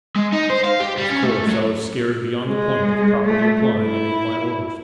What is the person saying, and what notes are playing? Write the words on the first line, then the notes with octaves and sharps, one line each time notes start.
Of course, I was scared beyond the point of properly applying any of my orders.
G#3
D#4
C5
F5
G4
G3
C#4
A3
F#3
G#3
A3
E4